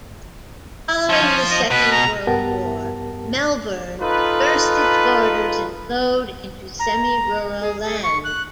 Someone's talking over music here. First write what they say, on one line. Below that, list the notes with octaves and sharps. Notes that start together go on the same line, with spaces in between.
Following the Second World War, Melbourne burst its borders and flowed into semi-rural land.
F3 C#4
F3
D#5
B2 B4
A#5
G2 B3 G4 A#4 F#5 A5
D#4 F4 A4 B4
A#5
G#4
G#4
C#6
F#6